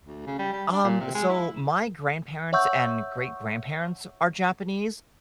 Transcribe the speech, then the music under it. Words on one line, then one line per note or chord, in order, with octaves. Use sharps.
Um, so, my grandparents and great-grandparents are Japanese,
D2
C#3
G3
G3
D4
A#2
C3
G#3
E4
C#5 E5 F#5 C#6 E6 G6